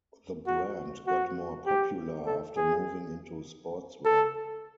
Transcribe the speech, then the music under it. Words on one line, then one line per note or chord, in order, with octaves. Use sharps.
The brand got more popular after moving into sportswear.
F#4
F#4
G4
A4
G#4
A4